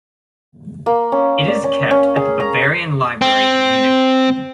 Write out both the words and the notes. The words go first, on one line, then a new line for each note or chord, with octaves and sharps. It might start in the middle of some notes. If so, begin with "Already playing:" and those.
It is kept at the Bavarian library in Munich.
A#3
C#4
D5
C#4
C#4
G#4
A#5
C4